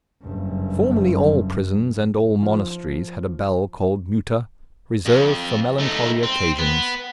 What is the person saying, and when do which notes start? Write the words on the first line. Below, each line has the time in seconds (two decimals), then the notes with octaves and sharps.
Formerly all prisons and all monasteries had a bell called Muta, reserved for melancholy occasions.
0.22 F#1 G2
2.42 F3 F4
5.06 F2
5.79 A3 D#4
6.23 C4
6.59 B3